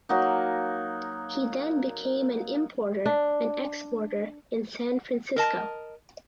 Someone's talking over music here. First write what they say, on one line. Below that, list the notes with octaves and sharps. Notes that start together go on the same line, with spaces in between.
He then became an importer and exporter in San Francisco.
F#3 A#3 D#4
D4
A#4 D#5 A5